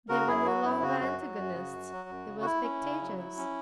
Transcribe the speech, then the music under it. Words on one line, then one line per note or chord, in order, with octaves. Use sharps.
They were no longer antagonists; they were spectators.
C#3 F#4 A#4
F#2 E4 G#4
F#3 F#4
F#2 E4
C#3 F#4
F#2 F#4
F#3
F#2
C#3
F#2
F#3
F#2
C#3
F#4
E4
C#4
C#3
F#3
E4
C#4